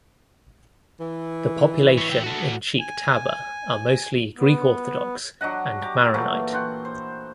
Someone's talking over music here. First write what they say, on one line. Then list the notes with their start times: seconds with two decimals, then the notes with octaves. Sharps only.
The population in Cheikh Taba are mostly Greek Orthodox and Maronite.
0.99 E3
1.98 E4 C#5
2.10 E5 G5
2.24 F#4 A4
2.79 G#5
4.37 B3
5.41 F#3 D4 D#5 F#5
5.81 G4 A#5 D6
6.14 A#2 E3 F#3 A3
6.53 F#5 G5 C6
6.85 C5